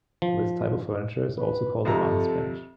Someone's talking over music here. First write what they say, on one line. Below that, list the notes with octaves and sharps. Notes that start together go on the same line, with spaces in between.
This type of furniture is also called a monks bench.
F3
B4
F2 C3 A4 A#5